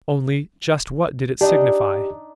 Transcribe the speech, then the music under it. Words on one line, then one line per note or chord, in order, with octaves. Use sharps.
Only--just what did it signify?
D4 D#4 G4